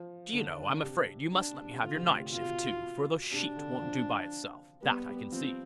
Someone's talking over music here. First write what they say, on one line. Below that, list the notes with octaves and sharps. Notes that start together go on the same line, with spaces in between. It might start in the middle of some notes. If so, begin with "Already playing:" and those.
'Do you know I am afraid you must let me have your nightshift too, for the sheet won't do by itself; that I can see.'
Already playing: F3
D3 D4
C3
D4
C3
D3 F4
C3
A2
C3
B2 F4
C3
B2
C3 D4
D3
F3
G3 B3
G3
F3 C4